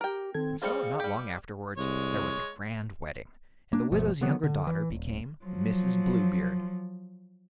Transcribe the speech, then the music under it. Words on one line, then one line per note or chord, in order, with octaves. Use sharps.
And so, not long afterwards, there was a grand wedding, and the widow's younger daughter became Mrs. Bluebeard.
G4 A#4 G5
D#3 C4 A4 G#6
G3 C4 F4 G#4 F5 C#7
G3 G4
C2 G#3 C#5
A#3 D4
G1 B2 F3 A3
D3 E3 F#3 B3
D3
E3
D#1
F3 F#3